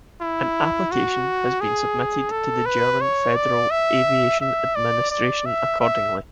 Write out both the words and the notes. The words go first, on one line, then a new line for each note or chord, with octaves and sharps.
An application has been submitted to the German Federal Aviation Administration accordingly.
E4
F#4
G#4
A4
B4
C#5
D5
E5
E5
D5
D5
E5
E5